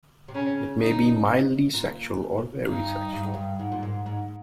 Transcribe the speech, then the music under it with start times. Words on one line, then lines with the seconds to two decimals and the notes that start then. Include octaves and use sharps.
It may be mildly sexual, or very sexual.
0.28 C3
0.34 C#3 C#4
0.81 D#4
1.74 A#2
2.67 G2 D#4
3.13 G2
3.24 G#2
3.34 G2
3.59 G#2
3.72 A#2
3.83 G#2
4.06 G#2